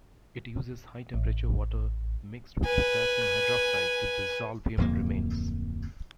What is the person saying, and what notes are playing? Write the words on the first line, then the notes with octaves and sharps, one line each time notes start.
It uses high temperature water mixed with potassium hydroxide to dissolve human remains.
A1
B4 G#5
D1 F2 A#3